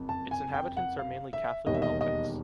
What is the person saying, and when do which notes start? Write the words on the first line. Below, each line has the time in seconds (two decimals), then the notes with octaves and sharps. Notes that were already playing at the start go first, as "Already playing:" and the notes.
Its inhabitants are mainly Catholic Melchites.
Already playing: F#1 F2
0.09 A5
0.31 G#5
0.54 G5
0.77 F#5
0.99 F5
1.33 E5
1.66 E1 D#2 D#3 G3 D#5
1.74 E5
1.82 D#5
2.01 D#5